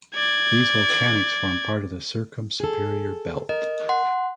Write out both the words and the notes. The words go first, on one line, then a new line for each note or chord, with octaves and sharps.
These volcanics form part of the Circum-Superior Belt.
D5 G#6
G#4 A4
A#4 D#5
F#5 C6